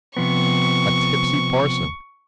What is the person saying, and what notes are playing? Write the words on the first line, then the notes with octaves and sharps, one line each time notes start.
"A tipsy parson."
C3 F3 B3 C#6